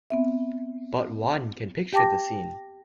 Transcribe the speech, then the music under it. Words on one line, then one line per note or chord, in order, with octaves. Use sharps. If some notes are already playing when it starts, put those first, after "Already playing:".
But one can picture the scene.
B3 C4 E5
G4 G5 A5 D6 A#6